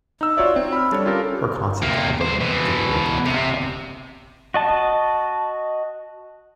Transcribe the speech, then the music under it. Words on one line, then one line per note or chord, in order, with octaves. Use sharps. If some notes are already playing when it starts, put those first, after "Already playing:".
Her concept album didn't work out that well.
D#4 E6
F4 F#4 C#5 D5 E5
C4
B5 F6
G3 D4 A4 C#5
C#4 F4 G4 A4 A#4
C3 A#3
C2 C5
B2 E3
C3
F#4 D#5 A5